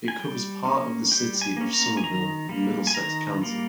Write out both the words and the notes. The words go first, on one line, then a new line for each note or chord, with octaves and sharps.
It covers part of the city of Somerville in Middlesex County.
G#5
G3 G5
A#3 C#4
G3 G5
G#5
A#3 C#4
A#5
G#5
D#3 A#5
G3 A#3
G#5
D#3 A#5
G3 A#3